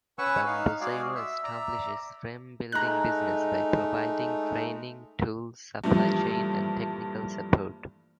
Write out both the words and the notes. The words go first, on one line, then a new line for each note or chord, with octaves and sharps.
Bamboosero establishes frame building business by providing training, tools, supply chain, and technical support.
C#4 B4 F#5 G#5 C#6 E6
D#4 F5
G#3 F#4 G#4 D5 F5
E5
D5 E5 A#5
G#3 A3 D#4 A#5 F#6
G2 A#2 E3 F3 G3 A3